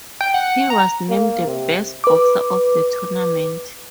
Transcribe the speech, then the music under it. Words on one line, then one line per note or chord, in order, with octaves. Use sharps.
He was named the best boxer of the tournament.
G5
F#5
A#5
A#3
C3
B4 D6